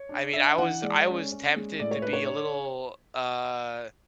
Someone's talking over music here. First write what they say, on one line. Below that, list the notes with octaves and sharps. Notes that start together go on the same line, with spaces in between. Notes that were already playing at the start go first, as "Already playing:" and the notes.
I mean, I was I was tempted to be a little, uh,
Already playing: C#5
D4
D4 E5
E3 F#5
G#3 D5
C#4
C#4
G#3
A2 D5
C#5
D4 B4
C#5